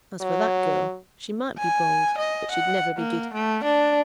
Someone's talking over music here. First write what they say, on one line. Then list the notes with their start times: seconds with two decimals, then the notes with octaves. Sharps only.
As for that girl, she might be bold, but she'd never be giddy.
0.21 F#3
1.58 G#5
2.18 D#5
2.51 F#5
2.97 A#3
3.34 A3
3.64 D4